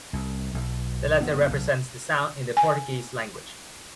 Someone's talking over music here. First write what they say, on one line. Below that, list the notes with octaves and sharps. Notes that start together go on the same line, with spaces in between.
The letter represents the sound in the Portuguese language.
C2
B1
F#1 B3 D4
B1
G#5